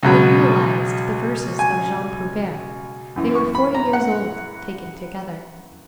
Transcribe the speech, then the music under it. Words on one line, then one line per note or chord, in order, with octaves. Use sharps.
They realized the verses of Jean Prouvaire; they were forty years old taken together.
C#2 B2 F#3
G#5
F#2 E3
C#6
B5
A#5
F#5